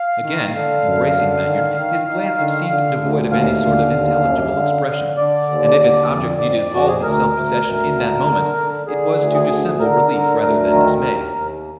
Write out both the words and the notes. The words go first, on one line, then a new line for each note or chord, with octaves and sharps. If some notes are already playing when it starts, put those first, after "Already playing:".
Again, embracing Lanyard, his glance seemed devoid of any sort of intelligible expression; and if its object needed all his self-possession in that moment, it was to dissemble relief rather than dismay.
Already playing: F5
D#3
D3
F#2
D3
D#3
D#3
D#3
D3
D3
D2
D#2 F5
D3
D#2
F#2
D3
D3
D3 D5
D#2
D3
F2
F2
F2 F#4
G#4
D2 A#4
D2
D2
D3
D3
D3
D3 G#4
D2
G#4
D3
D3 A#4
D3
D2
D#3
D#2
D#2